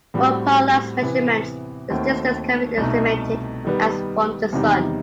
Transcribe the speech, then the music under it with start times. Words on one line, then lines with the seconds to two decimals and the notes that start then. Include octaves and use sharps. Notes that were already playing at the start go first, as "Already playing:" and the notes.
From parallax measurements, its distance can be estimated as from the Sun.
0.14 A2 G3 C4 F#4
1.02 C3 E3 B3
1.90 D#2 D#3 A3 C4 F#4
2.77 C2 B2 A3 D#4
3.65 D#3 G3 B3
4.53 E2 C3 D#3 G3 D#4